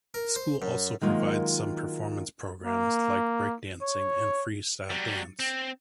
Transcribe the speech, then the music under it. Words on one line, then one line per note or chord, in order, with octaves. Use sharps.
The school also provides some performance programs, like breakdancing and freestyle dance.
A#4
C5
F#2
D#3 F#3 G#3 A#3 F4
A#3
C#5
F#3 G3
C4